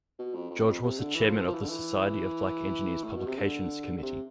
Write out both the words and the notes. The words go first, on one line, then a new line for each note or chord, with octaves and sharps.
George was the Chairman of the Society of Black Engineers' Publications Committee.
B2
F2
F2
F2
C3
D3
E3
F3
F3
E3
D3
E3
A2
B2
C3
D3
D3
C3